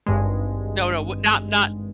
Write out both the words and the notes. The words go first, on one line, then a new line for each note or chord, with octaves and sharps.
No, no, w not not
G#1 G2 G#3